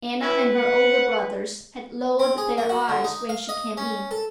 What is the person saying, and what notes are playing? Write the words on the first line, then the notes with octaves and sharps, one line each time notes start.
Anna and her older brothers had lowered their eyes when she came in.
E4 B4
F#5
C4
G#4
A#3
F#4
D3
D#4
F5
D#5
C#4
A4